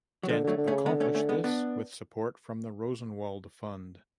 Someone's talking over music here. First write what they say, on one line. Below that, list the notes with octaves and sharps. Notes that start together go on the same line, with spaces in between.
Dent accomplished this with support from the Rosenwald Fund.
F#3
D3 F3 G#3
D3 F#3 A3
D3
A3 C#4
C#3
D3 G#3 B3
A3 C#4
A3 C#4
G#3 B3
B3 D4